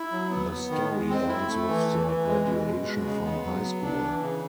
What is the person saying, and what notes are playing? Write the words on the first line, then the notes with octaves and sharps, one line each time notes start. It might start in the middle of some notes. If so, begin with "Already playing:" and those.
The story ends with their graduation from high school.
Already playing: E4
F#3
B3
B3
D#3
G#3
C4
E4
A3
E3
E3
E3
G#3
B2
B2
G#3
C#3
B3
F#3
B3
D4
E3
C#3